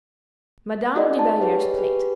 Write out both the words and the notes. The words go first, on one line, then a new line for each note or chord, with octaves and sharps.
Madame de Belliere's Plate.
D#4 F#4 G#4 D5 D#5 F#5
D#4 A5
G4 G#4 B4 C#5
G4 G#4 B4